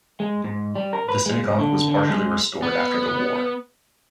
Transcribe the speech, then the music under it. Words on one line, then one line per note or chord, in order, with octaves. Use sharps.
The synagogue was partially restored after the war.
G#3
G#2
G3
A#4
B4
G#3
G#2
D3
D3
G#3
B3